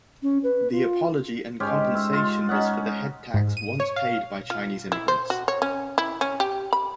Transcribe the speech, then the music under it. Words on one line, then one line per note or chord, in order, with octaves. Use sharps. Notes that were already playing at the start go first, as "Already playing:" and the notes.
The apology and compensation was for the head tax once paid by Chinese immigrants.
C#4
B4
F4
G#2 G#3 C#4 G4
E5 C6
F4
C#4 D#4 F#5
G#2
D#7
C#5
F5
F4
E4
C5
F#4
C#5
C#4
E4
C#4
G4
B5